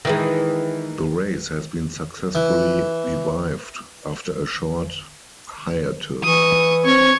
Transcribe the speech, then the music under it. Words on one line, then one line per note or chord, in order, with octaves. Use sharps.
The race has been successfully revived after a short hiatus.
D#3 E3 G#3
E3
E3 C#6 D#6
C4 C#5 C#6 G#6